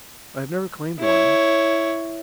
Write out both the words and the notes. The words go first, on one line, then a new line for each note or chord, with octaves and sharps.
I have never claimed one.
E4 C#5